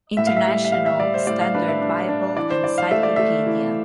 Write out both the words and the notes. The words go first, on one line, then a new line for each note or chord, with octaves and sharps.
"International Standard Bible Encyclopedia".
A2 E5
F5
E5
G3
E5
G3 F5
E5
G3 D5
C5
A2 D5
F5
D4 B4
E5
D4
D4
E3 D5
C5
E3 D5
F5
A3 E5
D5
A3 E5
E3